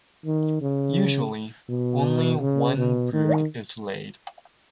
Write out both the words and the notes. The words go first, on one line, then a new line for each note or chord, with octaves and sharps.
Usually, only one brood is laid.
D#3
C#3
B2
C#3
B2
D#3